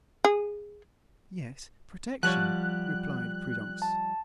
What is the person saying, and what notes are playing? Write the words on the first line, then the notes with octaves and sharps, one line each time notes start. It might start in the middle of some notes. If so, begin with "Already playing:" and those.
"Yes, protection," replied Prudence.
G#4
F3 G3 C#5 F#5 F#6
A5